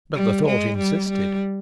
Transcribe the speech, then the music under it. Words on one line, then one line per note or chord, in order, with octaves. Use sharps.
But the thought insisted.
G3
G#3
G3
G3